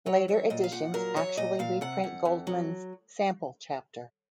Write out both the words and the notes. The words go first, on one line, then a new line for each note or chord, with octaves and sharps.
Later editions actually reprint Goldman's "sample chapter".
F#3 C#5
F#3 C#5
A#2 D#5
F5
A#2 F#5
F#3 A#4
F#3 C#5
A#2 D#5
A#2 F5
C3 F#5
F2
F2
F#3